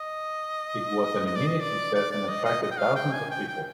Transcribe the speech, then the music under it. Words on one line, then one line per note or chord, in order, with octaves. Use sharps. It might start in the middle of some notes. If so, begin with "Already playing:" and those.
It was an immediate success and attracted thousands of people.
Already playing: D#5
D#5
D5
D#5
D5
D5
D5
D#5
D#5
D#5
G5
F5
G5
G#5
G5
G5